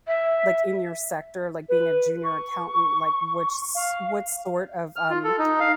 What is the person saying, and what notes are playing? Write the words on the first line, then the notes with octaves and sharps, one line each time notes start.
like in your sector, like being a junior accountant, like which s what sort of, um,
E5
B4
C#6
F5
F6
F4
A4
D#4
F5